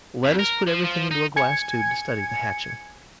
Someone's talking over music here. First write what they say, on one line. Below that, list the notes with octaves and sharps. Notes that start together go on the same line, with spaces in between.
Let us put everything into a glass-tube to study the hatching.
F2
A#4
F3
F3
D#4
G#5 G#6 C#7